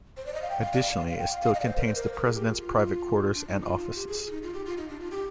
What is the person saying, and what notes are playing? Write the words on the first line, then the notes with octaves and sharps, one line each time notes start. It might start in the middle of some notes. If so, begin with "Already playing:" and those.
Additionally, it still contains the president's private quarters and offices.
C5
D5
D#5
F5
G5
F5
D5
F5
F5
F5
G5
F5
F5
D#5
D5
C5
A#4
C5
A#4
A#4
G#4
G4
F4
F4
D4
D#4
F4
G4
G#4
F4
D#4
F4
G4
F4
D#4
D4
F4
G4